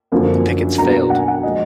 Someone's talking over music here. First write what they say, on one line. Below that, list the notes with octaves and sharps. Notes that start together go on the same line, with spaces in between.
The pickets failed.
F#2 D3 F3 A#3
B2 F#3 A#3 D4 A#5
F#5
G#5
F#5
F3 G#3 D#5